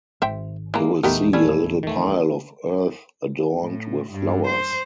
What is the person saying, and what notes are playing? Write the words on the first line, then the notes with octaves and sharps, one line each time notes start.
You will see a little pile of earth adorned with flowers.
G#1 C5 E5 G5
E3 G#3 A#3 A#5
F1 A#1 E2 A3 B3 D#4 G4 A#4
G3 A3 E4 G#5
D#3 A3
A2
G2
C5